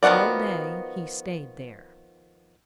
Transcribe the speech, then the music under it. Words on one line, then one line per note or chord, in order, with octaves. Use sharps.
All day he stayed there.
D#3 F3 B3 F#4 D5